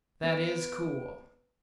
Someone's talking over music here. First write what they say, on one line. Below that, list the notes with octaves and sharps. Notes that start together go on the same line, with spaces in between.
That is cool.
B3 B4 D7